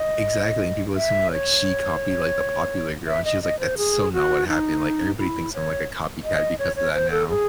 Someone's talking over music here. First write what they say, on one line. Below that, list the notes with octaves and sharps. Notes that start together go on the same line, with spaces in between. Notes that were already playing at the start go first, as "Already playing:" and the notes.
copied exactly, and people assume that, like, she copied, like, the popular girl. And she was like, "That's so not what happened. Like, everybody thinks I'm, like, a copycat because of that now."
Already playing: D#5
E5
C#5
E5
D#5
D#5
C5
G#4
F#4
D#4
E4
C#5
D#5
C#5
C#5
C5
A4
G#4